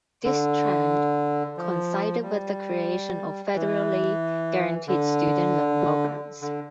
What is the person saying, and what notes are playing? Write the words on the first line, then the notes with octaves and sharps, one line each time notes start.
This trend coincided with the creation of Federally guaranteed student loan programs.
D3
F3
G3
E3
D3
D3